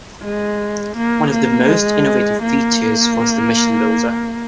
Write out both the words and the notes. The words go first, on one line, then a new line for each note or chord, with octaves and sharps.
One of the most innovative features was the mission builder.
G#3
A#3
A#3
G#3
A#3